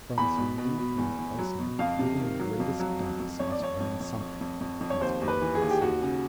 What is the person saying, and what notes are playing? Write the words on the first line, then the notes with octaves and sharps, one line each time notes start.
"From Zwyny and Elsner even the greatest dunce must learn something," he is quoted as saying.
E2 B5
B2
B2
B2
E2
E2
F#3
B2
F2 F5
C3
D#3
F#3
F2
F#3
F2
F2
F2 C#5
D5
F2 C#5
F2
F2
F2
F2
F2
F2
C#5
D#2 C5
D#2
B4
E3
G#4
D#2
G4
D#2 F#4
C#3